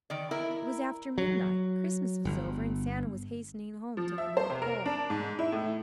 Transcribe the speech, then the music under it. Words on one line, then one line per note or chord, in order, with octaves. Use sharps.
It was after midnight, Christmas was over, and Santa was hastening home to the North Pole.
D#3 D5
E4 A#4
F#3
G1
F3
E5
C5
C3
A#4
D4
G#2
E4
A2